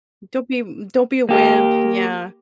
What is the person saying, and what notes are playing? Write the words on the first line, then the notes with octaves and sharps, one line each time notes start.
Don't be m don't be a wimp, yeah.
A#3 G4